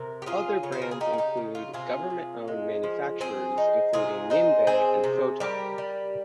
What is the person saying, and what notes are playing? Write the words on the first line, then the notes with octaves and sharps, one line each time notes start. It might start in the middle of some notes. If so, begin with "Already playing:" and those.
Other brands include government owned manufacturers including Jinbei and Foton.
Already playing: C3 A#4
G4
C#4 F4 G#4
C#3 C#5
C5
A#4
G#4
C#3 D#4 G4
G#4
D#4 G4
C#3
F4
C3 F4 G#4
C3
G#3
F3
C4 G#4 C5
D#4
C3 F4 G#4
D#4 G#4 C5
C4 G#4 C5
C3
G3 G4 A#4
G3